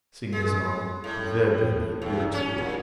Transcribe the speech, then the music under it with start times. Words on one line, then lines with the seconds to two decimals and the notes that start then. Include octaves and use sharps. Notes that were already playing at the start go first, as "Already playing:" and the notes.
Singers are proverbially irritable!
0.33 G#3
1.04 A2
2.02 E2
2.34 C#4
2.58 A#2